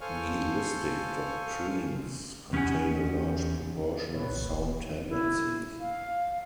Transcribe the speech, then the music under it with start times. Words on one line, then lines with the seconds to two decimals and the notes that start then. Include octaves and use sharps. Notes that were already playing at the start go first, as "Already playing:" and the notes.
Nihilistic doctrines contain a large proportion of sound tendencies.
0.01 A4 C5 F5 G#5 C#6 F6
2.53 E2 C#4 D#4 G4 F#5 G#5
4.14 A#2 B4 C#5
4.30 B1
4.47 D#1
5.09 E4
5.80 F5